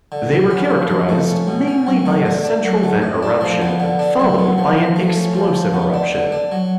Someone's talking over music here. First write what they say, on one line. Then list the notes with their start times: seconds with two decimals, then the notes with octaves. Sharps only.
They were characterized mainly by a central vent eruption, followed by an explosive eruption.
0.12 D3
0.32 F#3
0.50 C#4
0.70 F3
0.90 F3
1.09 A3
1.28 C#4
1.48 B2
1.68 C#4
1.87 F#3
2.06 A3
2.26 D3
2.44 D4
2.65 F#3
2.83 A3
3.02 A2
3.23 D4
3.41 F3
3.61 B3
3.80 D3
3.99 D4
4.19 F#3
4.38 B3
4.58 F3
4.77 F3
4.96 A3
5.16 C#4
5.35 F3
5.54 F3
5.73 B3
5.94 D4
6.13 D3
6.32 D4
6.52 F#3